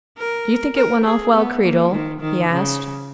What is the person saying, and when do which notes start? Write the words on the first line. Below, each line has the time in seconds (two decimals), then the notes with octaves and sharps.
"Do you think it went off well, Creedle?" he asked.
0.18 A#4
0.76 A#4
1.04 G#4
1.33 B3
1.62 A#3
1.91 D#3
2.20 D#3
2.49 C#3